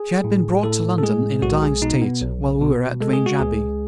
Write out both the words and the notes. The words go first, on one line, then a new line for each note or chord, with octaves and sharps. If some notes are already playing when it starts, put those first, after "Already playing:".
She had been brought to London in a dying state while we were at Vange Abbey.
Already playing: G#4
A2
A2 A4
A4
G#3 G#4
B1 F#4
G#4
B2 D#4
B3
B1
B2
G#3 A4
G#4
F#4
C#2 G#4